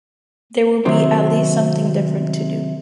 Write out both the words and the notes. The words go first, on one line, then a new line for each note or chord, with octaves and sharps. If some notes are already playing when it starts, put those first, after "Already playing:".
There will be at least something different to do.
C3 D#3 F#3 C4